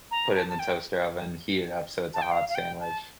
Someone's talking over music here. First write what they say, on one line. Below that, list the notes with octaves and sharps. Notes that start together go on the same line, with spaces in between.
Put it in the toaster oven, heat it up so it's a hot sandwich.
A#5
A5
A5
G5
A5
G5
F5
F5
G5
A5